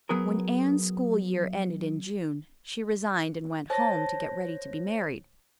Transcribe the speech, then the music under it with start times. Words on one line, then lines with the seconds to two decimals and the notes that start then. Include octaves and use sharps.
When Anne's school year ended in June she resigned and went home to get ready to be married.
0.09 F#3 B3 G#4 A#4
3.70 C5 C#5 A5 A#6